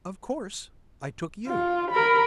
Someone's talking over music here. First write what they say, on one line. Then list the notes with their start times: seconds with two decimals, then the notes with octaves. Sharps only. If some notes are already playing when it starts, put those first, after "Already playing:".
Of course, I took you.
1.47 F4
1.91 A#4 B5